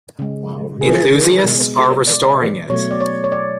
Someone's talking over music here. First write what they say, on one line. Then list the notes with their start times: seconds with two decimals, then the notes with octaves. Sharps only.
Enthuiasts are restoring it.
0.19 C#3 G#3
0.81 G#4
1.45 B2 G#3
2.07 D5
2.69 B2 F#3 A3 C#5
2.91 D5
3.00 C#5
3.24 C#5
3.32 D5